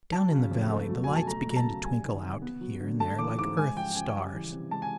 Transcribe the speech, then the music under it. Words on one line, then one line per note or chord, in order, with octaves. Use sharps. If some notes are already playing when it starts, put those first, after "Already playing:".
Down in the valley the lights began to twinkle out here and there like earth-stars.
F#3 A5
C#3
F2
A3
F#3
B2 G#5
A5
A3 A#5
F#3 A#5
A5
C#3
G3 G#5
D#3
C3
B3
F#3
D3
A3 A5
E3 D6
G#2 D6
G#3 G#5
F3 G5
C#3 G#5
G3
E3
C3
G#3 A5
G#5